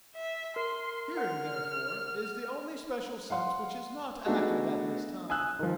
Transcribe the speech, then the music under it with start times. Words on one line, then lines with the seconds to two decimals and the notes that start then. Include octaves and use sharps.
Hearing, therefore, is the only special sense which is not active at this time.
0.15 E5
0.56 A#4 C6 C7
1.15 A#4 F#5 F6
3.30 F5 F#5 C6
4.26 A3 B3 D4 D#4 F#4 G#4
5.30 G#5 D#6 E6 F#6
5.59 D#3 F3